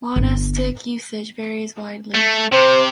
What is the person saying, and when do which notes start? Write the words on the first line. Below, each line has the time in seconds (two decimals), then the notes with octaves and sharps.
Monastic usage varies widely.
0.16 G1
2.14 A3
2.52 C3 C5